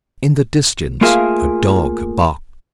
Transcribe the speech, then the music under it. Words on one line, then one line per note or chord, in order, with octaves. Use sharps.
In the distance a dog barked.
A3 A#3 F4 G#4 A#4 E5